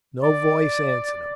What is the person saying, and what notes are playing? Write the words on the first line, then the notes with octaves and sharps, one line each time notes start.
No voice answered him.
D5